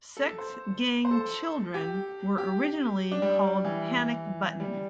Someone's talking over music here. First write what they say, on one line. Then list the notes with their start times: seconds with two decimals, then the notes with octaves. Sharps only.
Sex Gang Children were originally called Panic Button.
0.17 A4
0.27 A4
0.38 C5
1.05 C5
1.11 A4
1.74 G4
2.38 G4
3.12 D4
3.22 G3
3.65 E3
4.60 G3